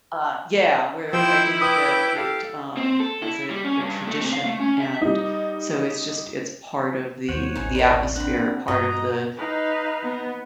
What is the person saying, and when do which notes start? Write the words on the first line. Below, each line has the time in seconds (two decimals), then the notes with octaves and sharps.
uh, yeah, where I think that it, um, was a a tradition, and, so, it's just it's part of the the atmosphere, part of the
1.13 F3 E4 C5 G5 E6
1.62 B4 G5 D6 D#6
2.16 G4 A4 F5
2.77 C4
3.00 A4
3.22 E4
3.50 G3
3.65 C#4
3.80 G2
4.07 A3
4.20 C3
4.33 F5
4.45 A3
4.60 C#4
4.80 E5
5.02 G3 D#4
7.29 D#2 C5 C#5 F#5
7.55 D1 A1 D#4 G#5
7.75 A#4 D5 B5
8.16 C4 D4 F#5 B5
8.68 G2 F#4 D#5 A#5
9.36 D#4 B4 F5
10.03 B3